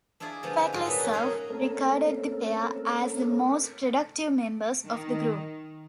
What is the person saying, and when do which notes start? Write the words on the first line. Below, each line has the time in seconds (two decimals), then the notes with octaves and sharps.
Feklisov regarded the pair as the most productive members of the group.
0.20 D4 E4 F4 G#4 D5
0.43 D3 F3 G#3 B3
0.73 G#2 F#3 G#4 A4
0.85 A#2 B3 B4
0.99 D#4 F#4
1.13 G#3 A#3 C#4 G#4 A#4 G#5
1.50 A3 A#3 C4 C#4 A4 A#4
4.85 D#3